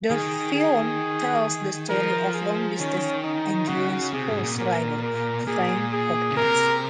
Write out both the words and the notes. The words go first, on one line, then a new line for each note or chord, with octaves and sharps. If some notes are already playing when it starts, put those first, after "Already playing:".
The film tells the story of long-distance endurance horse rider, Frank Hopkins.
D#3 G#4
G#4
F3 A#4
G#4
D#3 C#4
D#4
C#3 F#4
C3 G#4
G#2
A#2
A#2 A#4
A#4
A#2 G#4
G#4
C#3
C3 A#4